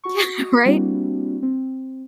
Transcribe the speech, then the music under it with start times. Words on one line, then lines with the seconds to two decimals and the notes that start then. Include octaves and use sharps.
Yeah, right?
0.04 F#4 C#6
0.65 G3 A#3 C4 D4 E4 F#4
1.43 C4